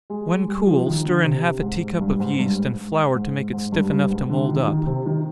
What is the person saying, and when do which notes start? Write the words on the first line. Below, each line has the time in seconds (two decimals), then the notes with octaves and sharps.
When cool, stir in half a tea-cup of yeast, and flour to make it stiff enough to mould up.
0.10 G#3
0.48 G3
0.67 F3
0.87 D#3
1.05 D3
1.24 C3
1.62 G#2
2.00 G2
2.20 G#2
2.39 G2
2.58 G#2
3.15 G#2
3.53 G#2
3.72 G2
3.91 G2
4.11 G#2
4.30 D3
4.49 D#3
4.68 D#3
4.87 C3
5.06 D#3